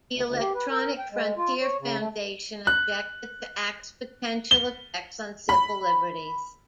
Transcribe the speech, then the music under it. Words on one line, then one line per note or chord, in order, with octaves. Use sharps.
The Electronic Frontier Foundation objected to Act's potential effects on civil liberties.
D2
D2
G4
B4
A#4
G5
G#3
F4
C#5
C#3
A3
F#6
G7
B5